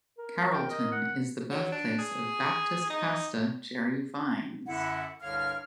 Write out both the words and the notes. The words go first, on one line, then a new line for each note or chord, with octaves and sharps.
Carrollton is the birthplace of Baptist pastor Jerry Vines.
A#4
G5
D#5
F#5
F#3
D4
G#4
D#4
F#2 D3 E4 F#5
C2 G2 D3 C#5 F5 F6